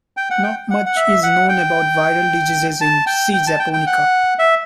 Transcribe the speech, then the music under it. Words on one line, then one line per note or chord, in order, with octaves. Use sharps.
Not much is known about viral diseases in "C. japonica".
G5
F#5
G5
F#5
F#5
E5
F#5
G5
A5
G5
G5
A5
G5
G5
F#5
E5